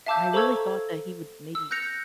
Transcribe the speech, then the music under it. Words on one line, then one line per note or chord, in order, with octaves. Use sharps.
I really thought that he would maybe,
E5 F5 A5 D6 E6 G6
A4 C5 A#5 C#6 E6 G#6
E6
F#6 G6 A#6 C#7 F7